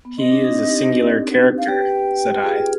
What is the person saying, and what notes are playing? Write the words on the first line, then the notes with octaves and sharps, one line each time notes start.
"He is a singular character," said I.
B3
C4 D#5
D4
D#4
D#4 G4
F5
G4 B4 G5
F4 G#4